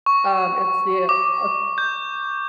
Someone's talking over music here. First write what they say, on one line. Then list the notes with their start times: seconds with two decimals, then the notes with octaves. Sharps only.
um, it's the uh,
0.06 C#6
1.09 D6
1.78 G6